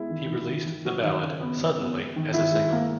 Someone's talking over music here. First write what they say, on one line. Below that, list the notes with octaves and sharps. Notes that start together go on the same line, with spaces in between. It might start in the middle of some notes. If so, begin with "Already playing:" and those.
He released the ballad, "Suddenly" as a single.
Already playing: G#3 B3 E4
D#3
D#3
D#3
D#3
F#3 F#4
D#3
C#3
B3
C#3
B3
G#3
D#3
D#3 E4
G#3
A#3